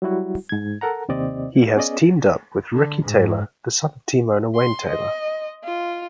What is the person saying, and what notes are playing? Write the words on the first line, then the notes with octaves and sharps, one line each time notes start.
He has teamed up with Ricky Taylor, the son of team owner Wayne Taylor.
F#3 G3 E4 F#4
G#2 G#6
A4 A#4 F#5 A#5
D#2 C3 C4 D5 D#5
B3 C#4 G#4 D5 D#5
D3
G#2
C6
D#5
F4